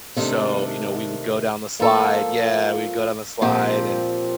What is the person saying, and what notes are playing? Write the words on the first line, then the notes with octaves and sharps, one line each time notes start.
So, you know, we would go down the slide. Yeah, we'd go down the slide, and
C3 D#3 A3 D4
F3 A#3 F4 A4
A#2 F3 C4 G4